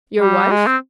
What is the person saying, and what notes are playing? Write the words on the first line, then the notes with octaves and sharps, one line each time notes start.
"Your wife?"
G3
G#3
C4